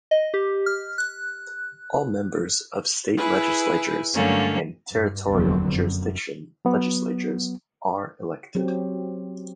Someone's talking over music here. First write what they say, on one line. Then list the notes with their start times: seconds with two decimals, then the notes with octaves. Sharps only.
All members of state legislatures and territorial jurisdiction legislatures are elected.
0.11 D#5
0.34 G4
0.66 F6
0.98 F#6
3.17 E4 G#4 B4
4.14 G2 D3 F#3 A3 A#3 C#4
4.92 G2
5.29 F1 D#2 D3 F#3 B3 C4
5.69 F#2
6.65 F#3 B3
8.55 F#3 C4 G4